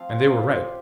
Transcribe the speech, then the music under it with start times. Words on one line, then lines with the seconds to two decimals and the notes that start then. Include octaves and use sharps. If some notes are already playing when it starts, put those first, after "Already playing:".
And they were right.
Already playing: F3 C4 F4 F5
0.09 C5
0.27 F4
0.43 G4